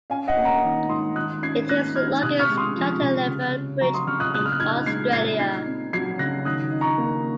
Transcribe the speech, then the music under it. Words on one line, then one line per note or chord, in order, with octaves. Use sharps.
It is the longest cantilever bridge in Australia.
C#4 F5 G#5
D#5 F#5
A#3
F#5 A#5
D#3
G#2 C6 D#6
D#3 D#6 F#6
C#4 G#6 C7
A#3 F#6 A#6
D#3 F6 G#6
C3 D#6 F#6
C#6 F6
G#3
C6 D#6
F3
C3
C#3
C#4
F#3 A#5 C#6
C6 D#6
C#3 C#6 F6
D#6 F#6
A#2 D#6 F#6
F6
F#6
D#4 F6 G#6
G#3 G#6 C7
A#2 G#6 C7
D#4 G#6 C7
C4
F#3 G#6 C7
C#3 F#6 A#6
D#3 D#6 F#6
D#4
A#5 C#6
A#3